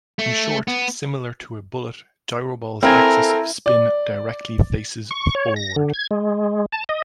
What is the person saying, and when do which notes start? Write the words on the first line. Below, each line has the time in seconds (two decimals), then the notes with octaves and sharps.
In short, similar to a bullet, gyroball's axis of spin directly faces forward.
0.19 A3
0.68 B3
2.83 C4 E4 A4 A#4 F5 G#5
3.66 D5
5.11 C#6
5.35 C#5
5.56 A#6
5.76 D3
5.94 G#6
6.11 G#3
6.72 A5
6.89 D#5